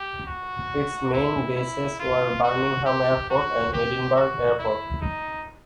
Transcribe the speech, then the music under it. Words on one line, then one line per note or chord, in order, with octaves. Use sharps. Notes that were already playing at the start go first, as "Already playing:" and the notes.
Its main bases were Birmingham Airport and Edinburgh Airport.
Already playing: G4
F#4
E4
E4
F4
F#4
G4
F#4
G4
F#4
E4
D#4